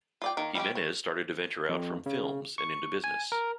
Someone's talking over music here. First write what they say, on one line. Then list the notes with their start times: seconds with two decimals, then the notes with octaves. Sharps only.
Jimenez started to venture out from films and into business.
0.22 F4 D5 G5
0.37 D#3 A#3
0.55 G3 G#3 C#4 G4
0.75 C#5
1.69 F2
2.06 C#3
2.58 C#6
3.04 G#5
3.32 A#4